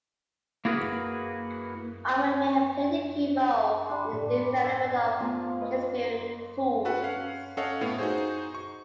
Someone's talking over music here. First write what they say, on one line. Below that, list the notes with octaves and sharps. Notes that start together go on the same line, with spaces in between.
Armin may have played a key role in the development of Shakespearian fools.
A#3 E4 F#4 G#4 A#4 B4
G3 D4 C6
A2
E5 G#5
F3 A3 B3 F4
B4 D#5
F#4 A4 B4 F#5
C#4 F5 F#5
C#4 A4 C#5 D#5 F5 F#5
A2 B3
D#4 F#4 G#4 C5
C#6